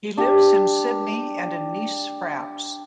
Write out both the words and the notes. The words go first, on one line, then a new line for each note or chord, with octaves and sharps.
He lives in Sydney and in Nice, France.
D4 G4